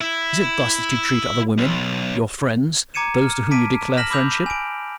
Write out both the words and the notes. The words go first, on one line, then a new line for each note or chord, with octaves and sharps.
Is it thus that you treat other women--your friends, those to whom you declare friendship?
E4
B1
A#5 D6 G#6 C#7 D#7 E7
F6
A5 D6 B6 D7 D#7
F6 A#6 B6 E7 F#7
B5 D6 E6 G6 F7
G#5 D7